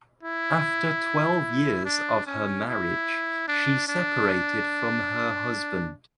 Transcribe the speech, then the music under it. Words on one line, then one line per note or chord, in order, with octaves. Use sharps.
After twelve years of her marriage she separated from her husband.
E4
D4
C#4
E4
D4
D4